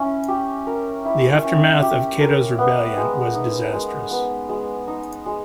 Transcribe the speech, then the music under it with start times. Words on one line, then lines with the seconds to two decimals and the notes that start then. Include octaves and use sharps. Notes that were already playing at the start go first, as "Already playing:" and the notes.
The aftermath of Kato's rebellion was disastrous.
Already playing: C#4 E4
0.28 G4
0.67 A#4
1.05 E4
1.43 C#4
1.82 G4
2.21 A#4
2.58 B3
2.97 G#3
3.35 D#4
3.73 G#3
4.11 B3
4.49 G#3
4.88 D#4
5.26 G#3